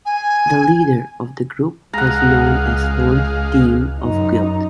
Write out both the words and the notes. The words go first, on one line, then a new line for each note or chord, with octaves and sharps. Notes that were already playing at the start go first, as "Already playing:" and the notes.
The leader of the group was known as Lord Dean of Guild.
G#5
C#2 G#3 F5 F#5 A#5
F#2 D#4